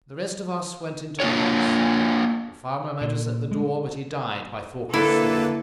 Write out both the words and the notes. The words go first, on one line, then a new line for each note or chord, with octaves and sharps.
The rest of us went into the house. The farmer met us at the door, but he died by Thorkel's sword.
A#3 D4 F4 C#5
A#2
G#3
D3 A#3 E4 A4 B4